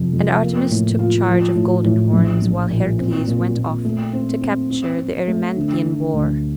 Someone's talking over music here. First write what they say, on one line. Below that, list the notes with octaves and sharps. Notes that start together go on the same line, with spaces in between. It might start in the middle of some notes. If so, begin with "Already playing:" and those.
And Artemis took charge of Golden Horns while Heracles went off to capture the Erymanthean boar.
Already playing: F2 C3
F2
A#3
A2
F4
F3
A2
A2
A#1
A#1
A#2
C4
A#2
A#2
A3
C4
C4
C4
C4
A3
D3
D3
D2